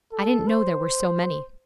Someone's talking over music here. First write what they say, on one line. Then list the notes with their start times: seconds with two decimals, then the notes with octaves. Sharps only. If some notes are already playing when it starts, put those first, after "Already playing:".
I didn't know there were so many.
0.13 A4
0.48 C5